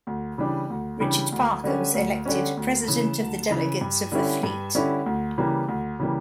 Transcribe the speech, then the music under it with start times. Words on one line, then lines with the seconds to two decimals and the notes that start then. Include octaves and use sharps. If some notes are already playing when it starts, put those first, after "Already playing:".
Richard Parker was elected "President of the Delegates of the Fleet".
0.07 D2
0.38 C#3 E3 G3 D4
0.70 D2
1.00 C#3 E3 G3 D4
1.32 D2
1.64 D3 G3 C#4
1.94 D2
2.25 D3 G3 C#4
2.57 D2
2.88 C#3 E3
3.19 D2
3.50 C#3 E3
3.81 G2
4.12 D3 G3 C#4 E4
4.43 G2
4.75 D3 G3 C#4 E4
5.06 D2
5.38 C#3 E3 G3 A#3
5.68 D2
5.99 C#3 E3 G3 A#3